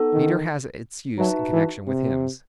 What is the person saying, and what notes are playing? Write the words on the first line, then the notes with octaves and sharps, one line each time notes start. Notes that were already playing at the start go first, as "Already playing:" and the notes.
Meter has its use in connection with hymns.
Already playing: B3 D#4 A4
D#3
F#3 D#4 F#4 B4 E5 A5
E3
C3